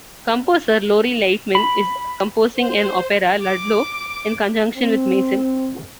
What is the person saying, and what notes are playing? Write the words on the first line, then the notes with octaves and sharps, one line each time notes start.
Composer Lori Laitman is composing an opera "Ludlow," in conjunction with Mason.
B5
C5
D6
C4